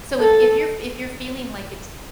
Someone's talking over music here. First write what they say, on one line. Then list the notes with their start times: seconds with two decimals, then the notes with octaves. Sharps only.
So, if if you're if you're feeling like it's
0.20 A4